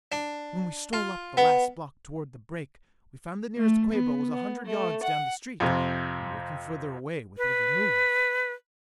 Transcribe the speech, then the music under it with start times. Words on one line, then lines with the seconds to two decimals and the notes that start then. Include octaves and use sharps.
When we stole up the last block toward the break we found the nearest Quabo was a hundred yards down the street--and working further away with every move.
0.12 D4
0.93 F4
1.37 B3
3.57 A3
3.92 B3
4.32 B3
4.64 A3
5.02 F#5
5.60 F2 C3
7.38 B4